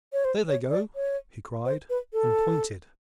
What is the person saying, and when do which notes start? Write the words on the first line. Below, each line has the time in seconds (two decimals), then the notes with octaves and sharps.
"There they go!" he cried, and pointed.
0.13 C#5
0.25 C5
0.48 C#5
0.71 D5
0.96 C#5
1.65 C5
1.90 B4
2.13 A4